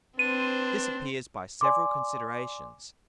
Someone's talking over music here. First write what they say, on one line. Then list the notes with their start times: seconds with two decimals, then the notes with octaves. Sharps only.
This appears by several Considerations.
0.19 C4 D4 B4 C5 D#7
1.61 D5 G#5 C6 D6